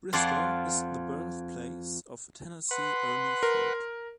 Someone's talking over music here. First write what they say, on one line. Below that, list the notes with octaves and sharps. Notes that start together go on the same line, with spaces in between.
Bristol is the birthplace of Tennessee Ernie Ford.
F2 F4 D5 F#5 C6
B4 F#5 C6
A#4